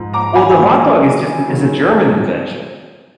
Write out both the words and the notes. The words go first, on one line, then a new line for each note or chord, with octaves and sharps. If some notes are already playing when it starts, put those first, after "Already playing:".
Well, the hot dog is just a is a German invention.
Already playing: G#2 F3
A#5 D6
G#5 B5
A#2 F#3
D#3 F#3